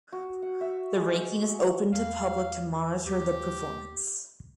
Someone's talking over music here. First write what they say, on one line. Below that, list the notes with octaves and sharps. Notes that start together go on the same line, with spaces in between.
The ranking is open to public to monitor the performance.
F#4
F#5
E5
G#3
F#5
F#3
E2 F5
D#2 G4